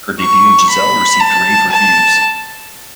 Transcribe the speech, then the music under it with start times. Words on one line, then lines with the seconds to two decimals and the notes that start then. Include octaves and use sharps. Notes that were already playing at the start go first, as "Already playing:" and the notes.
Her debut in "Giselle" received rave reviews.
0.20 C#6
0.70 B5
1.20 A5
1.70 A5